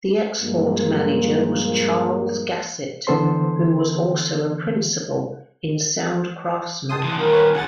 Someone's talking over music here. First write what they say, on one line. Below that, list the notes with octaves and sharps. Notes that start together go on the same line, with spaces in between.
The export manager was Charles Gassett, who was also a principal in Soundcraftsmen.
G2 A#2 F3 G#3 A#3
D3 E3 B3 A4 C5 C6
A5 C6 D#6
B1 E3
D#3 G3 A#4
B4 C#5
C#2 F#2 F#5 G#5 A6